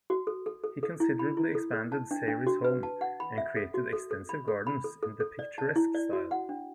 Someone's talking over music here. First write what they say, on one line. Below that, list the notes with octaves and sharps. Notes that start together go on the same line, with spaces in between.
He considerably expanded Sayre's home and created extensive gardens in the picturesque style.
F#4
A4
A4
A4
A4
E4
B5
E4
A4
A4
A5
D4
D4
F#4
B4
A5
F#5
B5
E5
A4
F#4
A4
A4
B5
A4
B5
A4
A4
A4
D5
A5
E4
D5
F#4
F#5
D4